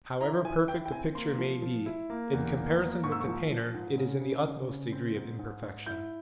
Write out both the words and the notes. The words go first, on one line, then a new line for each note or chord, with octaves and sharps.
However perfect the picture may be, in comparison with the painter it is in the utmost degree of imperfection.
E4 A#5
E4 G#5
E4 G5
G5
C4 G#5
A#3 C6
F3
F3
E4
A#3
E2
A#3
A#3
G#2 C#6
E6
C#6
F3
F3
G#2
C#3
C#3
C#3
C#3
C4
G#2
G#2
G#2
E4 G6